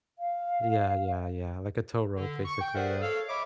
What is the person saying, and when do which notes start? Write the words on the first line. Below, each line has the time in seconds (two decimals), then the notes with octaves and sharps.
Yeah, yeah, yeah, like a tow rope, basically, yeah.
0.19 F5
2.16 D3
2.45 C#6
2.60 G5
2.75 G#4 A#4 C5 D5 E5 F#5
3.02 A4 C#5 F5
3.29 C#5 D#5 E5 B5 D6